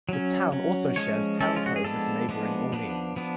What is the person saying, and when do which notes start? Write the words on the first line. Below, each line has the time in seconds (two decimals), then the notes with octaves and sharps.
The town also shares Town Cove with neighboring Orleans.
0.09 F#3 C#4
0.52 F#3 C#4
0.96 F3 G#3 C#4 C#5
1.41 F3 G#3 C#4 A4
1.56 F4
1.66 F#4
1.76 G#4
1.84 F3 G#3 B3 D4 A4
2.29 F3 G#3 B3 D4
2.72 F3 B3 D4
3.16 F3 B3 D4